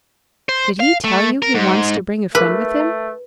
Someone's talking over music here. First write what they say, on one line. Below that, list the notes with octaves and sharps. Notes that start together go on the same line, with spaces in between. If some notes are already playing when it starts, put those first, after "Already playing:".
"Did he tell you he wants to bring a friend with him?"
C5
F5
A3
A#4
G#2
A3 G#4 A#4 B4